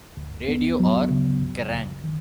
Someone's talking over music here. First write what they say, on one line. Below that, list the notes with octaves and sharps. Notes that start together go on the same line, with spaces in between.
Radio or Kerrang!
D2
B3
F#3
C#3
C#2
C#2
D#3